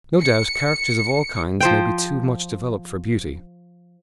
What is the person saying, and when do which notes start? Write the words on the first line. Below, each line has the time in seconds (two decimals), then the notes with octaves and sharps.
No doubt characters of all kinds may be too much developed for beauty.
0.20 C#7
1.60 F3 C5 G5